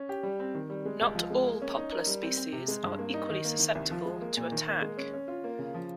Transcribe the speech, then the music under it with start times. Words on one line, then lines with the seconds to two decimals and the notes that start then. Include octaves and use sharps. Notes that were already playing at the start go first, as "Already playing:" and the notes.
Not all poplar species are equally susceptible to attack.
Already playing: C#4
0.09 G4
0.23 G3
0.40 C4
0.55 D#3
0.70 G3
0.85 G#3
1.01 C#2
1.15 F3
1.30 G#3
1.46 A#3
1.62 C#4
1.77 D#4
1.92 A#4
2.07 G3
2.23 C4
2.37 C4
2.52 C3
2.68 G#3
2.83 G2
2.99 A#3
3.14 D#4
3.30 D#3
3.45 A#3
3.59 D#3
3.75 C2
3.91 F3
4.05 G#3
4.21 A#3
4.37 A#2
4.52 D#3
4.67 A#3
4.82 G#3
4.98 C#4
5.13 C#4
5.28 F4
5.44 A#3
5.59 C#3
5.74 F3